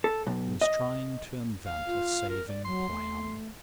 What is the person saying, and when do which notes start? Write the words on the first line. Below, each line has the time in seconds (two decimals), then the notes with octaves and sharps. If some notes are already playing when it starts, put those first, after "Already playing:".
She was trying to invent a saving plan.
0.04 A4
0.27 B1
0.61 D#5
1.66 F5
1.87 F4
2.30 A#4
2.49 D5
2.65 F#3 C6
2.91 A3